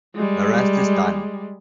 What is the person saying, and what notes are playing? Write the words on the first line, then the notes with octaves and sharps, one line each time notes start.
The rest is done.
G3 G#3